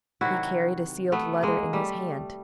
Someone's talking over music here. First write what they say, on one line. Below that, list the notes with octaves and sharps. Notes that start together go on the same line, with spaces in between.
He carried a sealed letter in his hand.
C3 D#3 F#3 E4 F#4
A3 B3
G#3 A#3
G3 A3